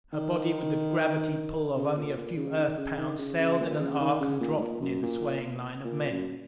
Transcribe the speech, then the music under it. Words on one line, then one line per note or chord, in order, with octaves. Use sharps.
Her body, with the gravity pull of only a few Earth pounds, sailed in an arc and dropped near the swaying line of men.
D#3
C#3
A#2
A#2
C#3
D#3
C#3
D#3
C#3
C#3
A#2
C#3
C#3
D#3
C#3
A#2
G#2
A#2
F#2
A#2
A#2
F#2